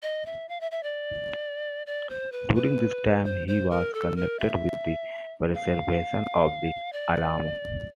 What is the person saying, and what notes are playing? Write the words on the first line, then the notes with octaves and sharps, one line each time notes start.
During this time he was connected with the preservation of the Alamo.
D#5
E5
F5
E5
E5
D5
D5
C5
B4
B4
C5
C5
A#4
A4
A#4
E5
F5
D5